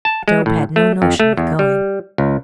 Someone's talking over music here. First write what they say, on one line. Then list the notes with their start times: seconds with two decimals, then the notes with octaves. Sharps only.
But Job had no notion of going.
0.05 A5
0.28 G#3
0.46 A2
0.76 A3
1.02 F2
1.20 A3
1.37 E2
1.59 G3
2.18 C#2